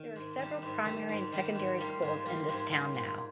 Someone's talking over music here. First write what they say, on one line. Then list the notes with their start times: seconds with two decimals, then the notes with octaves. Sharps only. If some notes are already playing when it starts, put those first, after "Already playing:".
There are several primary and secondary schools in this town now.
Already playing: D#3
0.16 G#2
0.38 D#3 G3
0.62 G#2
0.85 D#3 G3
1.08 G#2
1.32 D#3 G3
1.55 G#2
1.78 G3 A#3 F4
2.02 G#2
2.26 G3 A#3 F4
2.49 G#2
2.71 G3 A#3 F4
2.94 G#2